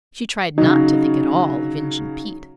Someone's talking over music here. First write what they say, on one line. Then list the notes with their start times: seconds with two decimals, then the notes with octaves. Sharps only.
She tried not to think at all of Injun Pete.
0.58 C#3 F#3 D#4